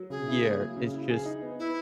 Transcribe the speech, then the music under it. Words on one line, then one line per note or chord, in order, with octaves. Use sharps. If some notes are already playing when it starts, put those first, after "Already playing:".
year is just
Already playing: F#3
C#3 G#4
E4
A#3
F#3
C#3
E4
G#4
D#4
B3
E4 B4